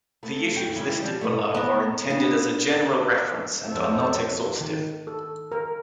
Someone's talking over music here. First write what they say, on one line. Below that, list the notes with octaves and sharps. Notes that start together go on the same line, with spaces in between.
The issues listed below are intended as a general reference and are not exhaustive.
A3 B3
D2 G2 G5
D#3 G3 G#3 E4
F3 G3
G#2 B2 G#3 A3
B3 A#4
B3 D4
B4
F2 A4 C5 C#5
D#3
A4
A#4